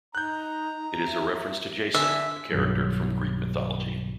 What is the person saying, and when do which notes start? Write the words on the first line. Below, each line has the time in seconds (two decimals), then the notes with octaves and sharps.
It is a reference to Jason, a character from Greek mythology.
0.15 D#4 A#5 F#6 G6
1.06 E5
1.94 D3 E5 G#5
2.52 B1 G2 B2 D#3 F#3